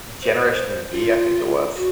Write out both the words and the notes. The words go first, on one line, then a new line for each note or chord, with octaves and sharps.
Generation V, I think it was?
C5
F4
F#4